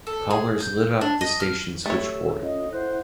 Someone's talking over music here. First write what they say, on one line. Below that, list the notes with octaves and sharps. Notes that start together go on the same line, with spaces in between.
Callers lit up the station switchboard.
A4
G#4
G6
D4
D#5
F6
A3 G4 C#5 E6
C#4 F4 D#5
E4 C5 F#5